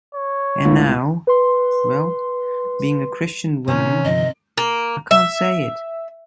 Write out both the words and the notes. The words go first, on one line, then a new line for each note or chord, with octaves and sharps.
And now...well, being a Christian woman, I can't say it!
C#5
C#2 A2
B4 C6
C3 D#3 C#4
G2 D3 F3 D#5
A#3
E5